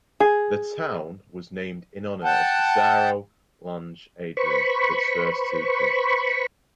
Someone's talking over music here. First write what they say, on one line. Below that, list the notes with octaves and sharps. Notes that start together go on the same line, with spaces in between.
The town was named in honor of Cesario Lange Adrien, its first teacher.
G#4
F#5 G5 A5
B4 C5 B5 C#6